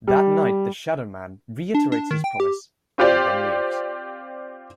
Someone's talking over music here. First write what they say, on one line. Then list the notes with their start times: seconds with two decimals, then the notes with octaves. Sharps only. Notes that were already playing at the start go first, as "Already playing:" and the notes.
That night, the shadow man reiterates his promise and then leaves.
0.07 G3
1.74 D4
1.92 D4
2.11 D#3
2.24 G5
2.40 G4
2.98 C4 F4 G4 C5 D5